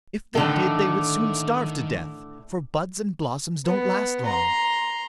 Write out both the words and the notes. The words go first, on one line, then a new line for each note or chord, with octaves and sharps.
If they did they would soon starve to death, for buds and blossoms don't last long.
A2 D3 D#3 A3
B3
A#5 C6